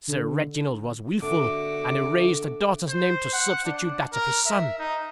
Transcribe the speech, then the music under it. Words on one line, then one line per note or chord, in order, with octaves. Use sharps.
Sir Reginald was wilful, and erased the daughter's name to substitute that of his son.
D3
D3 F#4 A4 E5 D6
C5
F#5
D4
A#4
E5
D#4